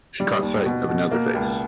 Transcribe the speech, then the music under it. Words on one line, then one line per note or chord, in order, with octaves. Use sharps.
She caught sight of another face.
G3
D#2
B2
B2
A#3
C#2